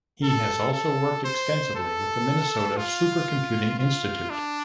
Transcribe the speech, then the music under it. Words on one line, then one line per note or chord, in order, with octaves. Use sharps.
He has also worked extensively with the Minnesota Supercomputing Institute.
A4
A4
C5
A4
F4
F4
D4